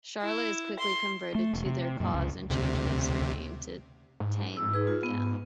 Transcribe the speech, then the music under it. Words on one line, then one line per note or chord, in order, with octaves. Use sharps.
Charlotte is quickly converted to their cause and changes her name to Tanya.
E4
C6
A3
E1
C3
F#2 A#2
C#2
D2 C3
G#2
E6
D#4 G#4 B4
F4
B3